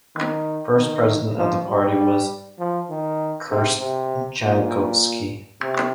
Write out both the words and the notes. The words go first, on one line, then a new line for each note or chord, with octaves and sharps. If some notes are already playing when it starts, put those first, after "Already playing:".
First president of the party was Krste Jankovski.
D#3
D#3
F3
G3
F3
D#3
C3
C3
A#2
C3